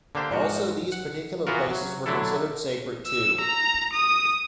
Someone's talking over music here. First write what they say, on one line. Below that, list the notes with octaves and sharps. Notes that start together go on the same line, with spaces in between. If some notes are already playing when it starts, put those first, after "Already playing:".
Also these particular places were considered sacred too.
D3 A#3 D4 G4 C5
G#2 F3 F#4
F#5
E3 B3 F4 F#4 A#4
F#3
D3 F#3 A3 D4 E4 A4
E6
A#5
D#6